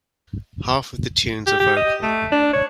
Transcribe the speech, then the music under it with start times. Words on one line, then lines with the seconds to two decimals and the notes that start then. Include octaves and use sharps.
Half of the tunes are vocal.
1.47 G4
1.60 G4
1.77 D#5
2.03 A3
2.32 D4
2.53 C#5